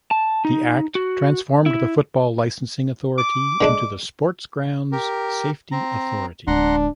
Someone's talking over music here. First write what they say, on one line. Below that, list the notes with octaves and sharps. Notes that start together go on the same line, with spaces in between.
The Act transformed the Football Licensing Authority into the Sports Grounds Safety Authority.
A5
D#4
F#4
E4
D6
D3 G#3 D4
G4 A#4
C4 A#5
D1 G#3 D4 F#5 A#5 C6